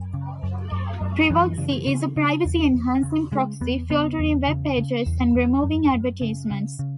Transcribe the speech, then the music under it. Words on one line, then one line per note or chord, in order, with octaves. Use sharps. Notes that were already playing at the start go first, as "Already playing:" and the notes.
Privoxy is a "privacy enhancing proxy", filtering web pages and removing advertisements.
Already playing: F#2
C#3
F#2
F#2
F#2
F#2 E3
C#3
C#3
C#3
E2
E2
C#3
C#3 G#3
E2 B3
C#3 B3
E2
C#3
C#3
E2
E2
F#2
F#2
C#3
C#3
C#3